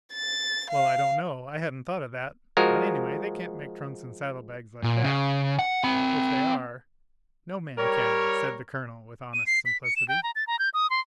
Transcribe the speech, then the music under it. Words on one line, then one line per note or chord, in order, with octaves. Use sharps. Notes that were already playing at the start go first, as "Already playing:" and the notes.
"Well, I don't know--I hadn't thought of that--but anyway they can't make trunks and saddle-bags like that, if they are--no man can," said the Colonel with honest simplicity.
A6
F5
F3 G#3 F#4 A#4
A#2
C#3
F#5
C4 B5
G3 A#4 C#5
D#7
C7
B6
C#7
E7
G5
A#5
A6
A#5
G6
D#6
C6